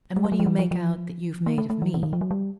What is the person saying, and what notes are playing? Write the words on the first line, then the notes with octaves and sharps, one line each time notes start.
"And what do you make out that you've made of me?"
G#3
G3
F#3
F3
E3
F3
F3
A#3
A3
A3
E3
E3
D#3
F3
F#3
G3